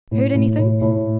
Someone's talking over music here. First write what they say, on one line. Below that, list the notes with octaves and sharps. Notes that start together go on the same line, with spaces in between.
Heard anything?'
A2
A2
A2
A2